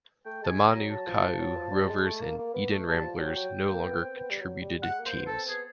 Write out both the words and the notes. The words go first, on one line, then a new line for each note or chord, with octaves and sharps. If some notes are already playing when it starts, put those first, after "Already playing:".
The Manukau Rovers and Eden Ramblers no longer contributed teams.
A3 G5
G#3 A5
G#5
A#5
F#3
F#3 A5
F3
F3
F#3
F3
G3
G3
G#3
A3
A#3
A#3
B3
A3
G3 A5
F3
F#3 G5
F#3
A#3
B3
C4
B3
G3
F#3
G3
G3
G#3 F#5
A#3
C5
B3
C4 A4
B3 G#4